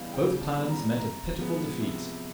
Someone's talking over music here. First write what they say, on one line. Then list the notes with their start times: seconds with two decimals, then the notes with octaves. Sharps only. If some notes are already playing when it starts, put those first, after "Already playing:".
Both plans met a pitiful defeat.
Already playing: C#3 E3 G3 B3 D#5 F5
0.13 C#3 G5
0.41 A5
0.55 E3 G3 B3
0.69 A#5
0.97 C3 A#5
1.39 F3 G#3 B3
1.81 C3